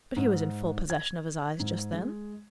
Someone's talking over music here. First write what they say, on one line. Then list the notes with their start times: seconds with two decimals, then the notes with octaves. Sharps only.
"But he was in full possession of his eyes just then?"
0.16 G#2
0.90 G#6
1.60 G#2
1.93 G#3